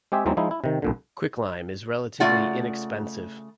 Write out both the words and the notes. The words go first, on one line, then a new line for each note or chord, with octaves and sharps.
Quicklime is relatively inexpensive.
G#3 C4 G4 G#4 E5
E2 E3 F#3 G#3 C4 D#4
F3 G#3 D#4 E4
E4
C3 D#3
C2 A#2 D3
C#3 A3 F4 D5 F#5